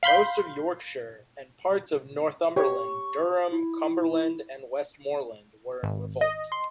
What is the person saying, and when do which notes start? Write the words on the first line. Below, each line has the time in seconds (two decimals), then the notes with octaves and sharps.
Most of Yorkshire, and parts of Northumberland, Durham, Cumberland and Westmorland were in revolt.
0.03 F5 B5 C6 G6
2.56 G4 C#5 C#6
3.52 E4
5.83 G#1
6.21 D#5
6.52 C6